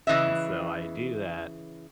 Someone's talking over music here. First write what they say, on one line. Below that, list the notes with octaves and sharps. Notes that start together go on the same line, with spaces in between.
and so, I do that.
C#3 E3 D#5 E5